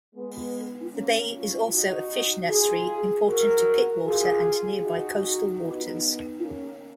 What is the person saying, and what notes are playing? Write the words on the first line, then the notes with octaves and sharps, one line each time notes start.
The Bay is also a fish nursery important to Pittwater and nearby coastal waters.
G#3 B3
A#3 C#4
C#4 F4
D#4 F#4
F4 G#4
F#4 A#4
F4 G#4
D#4 F#4
B3 D#4
A#3 C#4